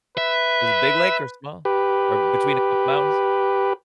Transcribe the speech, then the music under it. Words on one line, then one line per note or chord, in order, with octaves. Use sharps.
Is it big lake or small, or b between a couple of mountains?
B4 E5
G4 B4